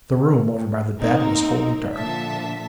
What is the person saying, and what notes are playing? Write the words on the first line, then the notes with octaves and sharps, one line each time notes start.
The room, over by the bed, was wholly dark.
F#3 A#3 C4 D#4 A#4
A#2 D3 F3 E5 A5 B6